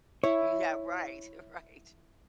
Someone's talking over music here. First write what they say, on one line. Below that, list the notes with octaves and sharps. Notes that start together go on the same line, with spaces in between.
Yeah, right, right.
E4 C#5